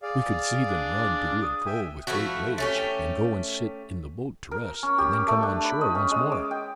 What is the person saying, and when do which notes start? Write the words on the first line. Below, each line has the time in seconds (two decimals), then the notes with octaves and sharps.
We could see them run to and fro, with great rage; then go and sit in the boat to rest, and then come on shore once more.
0.02 G#4 D5 F5
0.68 D4
1.42 D#6
1.66 E5 G5 G#5
2.07 F3 A3 E4 F#4
2.58 A3 C#4 G4
4.51 A#4
4.83 C#4
4.98 G4
5.14 D6
5.28 A3
5.43 D4
5.65 B5
5.81 D#5
5.95 C#4
6.11 G#3
6.32 D6
6.51 G5